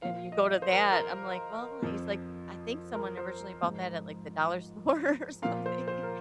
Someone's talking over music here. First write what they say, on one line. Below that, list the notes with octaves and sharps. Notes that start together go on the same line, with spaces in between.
and you go to that." I'm like, "Well," he's like, "I think someone originally bought that at, like, the dollar store or something."
A#2 F3 F5
D#5
C5
A#4
A#4
F2 F3
A#4
C5
G#2 F3
A#2 F3 F5
C5
C5
A#4